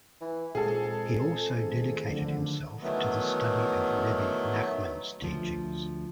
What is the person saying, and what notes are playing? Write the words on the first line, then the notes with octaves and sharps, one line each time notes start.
He also dedicated himself to the study of Rebbe Nachman's teachings.
E3
F2 A#2 G#3 G#4 A4
D#3 A3 C#4
D3 D#3 F3 A3
D#3 E3 F#3 A3 B3
D2 F3